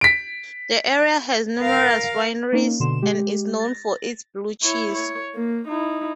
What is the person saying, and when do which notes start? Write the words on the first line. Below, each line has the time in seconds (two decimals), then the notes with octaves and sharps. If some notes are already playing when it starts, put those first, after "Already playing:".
The area has numerous wineries, and is known for its blue cheese.
0.01 B6 D7
1.60 A#4 F5
2.52 A#3 C#4 D#4
2.80 B2 D3 C6 E7
3.02 G#3 G4
3.59 A6 A#6
4.63 E4 C#5
4.95 C#5
5.35 A#3
5.68 D#4 E4